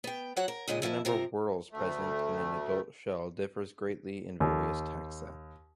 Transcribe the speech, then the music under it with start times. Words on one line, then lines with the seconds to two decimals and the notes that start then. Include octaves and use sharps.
The number of whorls present in an adult shell differs greatly in various taxa.
0.04 B3 G5
0.36 F#3 F#4 C#5 F#5
0.48 A#4
0.68 D#2 A#2 D3 G#3 D#5
0.82 F2 D#3 F3 E4
1.05 C3 F3 A#4
1.72 D2 A3
4.40 D#2